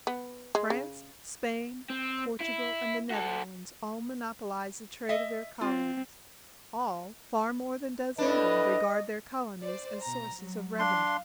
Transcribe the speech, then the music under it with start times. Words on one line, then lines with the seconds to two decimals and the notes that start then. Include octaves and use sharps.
France, Spain, Portugal, and the Netherlands all monopolize the trade of their colonies; all, far more than does England, regard their colonies as sources of revenue.
0.07 B3
0.55 G#3
0.70 C#3
1.90 C4
2.40 E4
3.11 F#4 A4
5.09 D#5 E5
5.61 C4 F4
8.18 A2 D4 B4 D#5
9.63 C5 D5
10.04 B2 A#5
10.35 F#3
10.79 D4 F5 C6